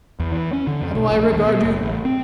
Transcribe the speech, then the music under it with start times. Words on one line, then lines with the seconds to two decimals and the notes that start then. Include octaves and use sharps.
How do I regard you?
0.20 E2
0.32 E3
0.53 C#4
0.67 D3
0.82 F2
0.95 B1
1.11 A#1
1.32 D#2
1.45 B2
1.64 F#1
1.83 A1
2.05 C4